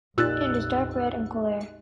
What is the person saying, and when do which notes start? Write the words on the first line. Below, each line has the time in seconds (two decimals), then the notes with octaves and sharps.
It is dark red in colour.
0.18 A#1 F2 A#2 D#4 G4 E6 F#6 A6